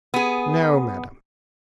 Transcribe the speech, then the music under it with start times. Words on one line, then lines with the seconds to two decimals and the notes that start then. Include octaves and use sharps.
"No, madam."
0.14 B3 G#4